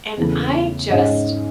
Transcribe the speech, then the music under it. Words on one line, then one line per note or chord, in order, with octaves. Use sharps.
and I just
E2 C#3 E3 A3
G#2 G#3 C#4